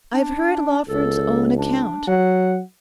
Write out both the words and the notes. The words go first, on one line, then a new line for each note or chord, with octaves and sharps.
I have heard Lawford's own account.
D4
C#2 A4
D4
F#3 F#5